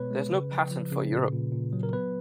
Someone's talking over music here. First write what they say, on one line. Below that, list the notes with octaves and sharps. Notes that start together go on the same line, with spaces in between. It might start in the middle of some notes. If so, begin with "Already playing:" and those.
There is no patent for Europe.
Already playing: B2 G#3 B3 B4 C#5
G#3
C#3
F3
F3
C#3
A#2
A#2
A#2
F#3
A#4
B3 B4